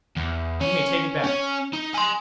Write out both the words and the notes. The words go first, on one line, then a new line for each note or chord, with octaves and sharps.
You may take it back!'
E2
C#4 C#5
C#4 C#5
D#4
G#5 C6